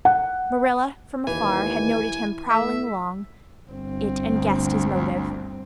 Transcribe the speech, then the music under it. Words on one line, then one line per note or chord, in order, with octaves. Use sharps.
Marilla from afar had noted him prowling along it and guessed his motive.
F#5
D#2 E3 G#5
A3 E5
G1 C4
D2